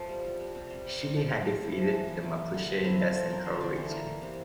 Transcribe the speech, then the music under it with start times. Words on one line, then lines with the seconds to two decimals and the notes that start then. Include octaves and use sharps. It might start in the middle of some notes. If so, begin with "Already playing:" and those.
Chile had defeated the Mapuche in their central region.
Already playing: F3 A3 C4
0.09 G3
0.24 G3
0.39 C3
0.55 C3
0.70 G3 C5
0.85 C3
1.00 C4 A#4
1.16 F3 A4
1.31 C3 A4
1.46 C4 G4
1.62 C4 E4
1.71 F4
1.77 F3 E4
1.92 E3 D4
2.08 E3 E4
2.23 A#3
2.38 A#3
2.54 D3
2.69 C4
2.84 C4 E4
2.99 F3 F4
3.15 C4 A4
3.30 C4 A#4
3.45 D3 C5
3.61 D3 D5
3.76 E3 C5
3.84 A4
3.91 A#3 A#4
4.07 E3
4.21 C3